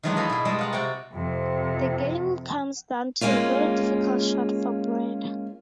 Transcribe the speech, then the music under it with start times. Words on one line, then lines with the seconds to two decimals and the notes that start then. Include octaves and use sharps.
The game comes down to a very difficult shot for Brad.
0.03 D#3 E3 F#3 G#3 B3 D4
0.16 E4 A4 B4 D#5 F5
0.30 B2 G#4
0.45 G3 G#3 D#5 A5
0.59 F4 F#5 A#5
0.73 C3 F#4 D5 F#5 G5
1.13 F2 C3
3.21 G#3 A#3 C#4 F4